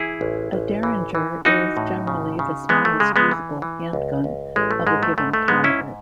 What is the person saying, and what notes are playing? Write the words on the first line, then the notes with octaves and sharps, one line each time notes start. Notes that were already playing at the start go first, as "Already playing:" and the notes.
A derringer is generally the smallest usable handgun of a given caliber.
Already playing: E3 E4 G#4
A1
A1
E3
E3
E3 D#4 F#4
A2
C#3
C#3
E3 G#3 B3
A3
C#3 G#3
G#3 B3
E3
E3
C#2
C#2
A1 G#3
A3
G#2 G#3
A3
G#2 A3
A3
G#2 G#3 B3
C#4 E4